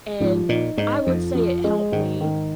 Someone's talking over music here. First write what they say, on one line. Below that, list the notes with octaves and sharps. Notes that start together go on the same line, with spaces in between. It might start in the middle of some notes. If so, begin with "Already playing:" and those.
and I would say it helped me
G#2 F3
A#2 D#4
G#2 D#4
F2 F3
F3
G#3
G#2 D#3
D#3